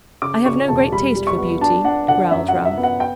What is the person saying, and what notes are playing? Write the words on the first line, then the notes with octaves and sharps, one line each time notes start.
'I have no great taste for beauty,' growled Ralph.
C#3 D6
C#3 C#6
E1 A5
G3 B5
G3
C#6
B3
D4 A5
D4 F#5
D3 F#5
F#2 E5
F#5
F#2
E5
B3
F#5
G5